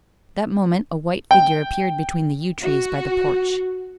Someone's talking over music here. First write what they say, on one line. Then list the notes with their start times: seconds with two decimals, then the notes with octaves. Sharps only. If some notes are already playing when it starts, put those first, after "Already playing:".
That moment a white figure appeared between the yew-trees by the porch.
1.31 G5
2.63 F#4